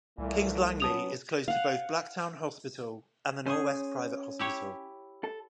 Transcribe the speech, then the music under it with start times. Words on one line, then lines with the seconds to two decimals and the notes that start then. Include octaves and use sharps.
Kings Langley is close to both Blacktown Hospital and the Norwest Private Hospital.
0.18 C2 A#2 E3 A3
0.80 F#3 B3 C#4 A5 D#6 F7
1.48 F5 F#5
3.46 C#4 G#4 C5
4.39 E4 G4 C#5
5.24 A4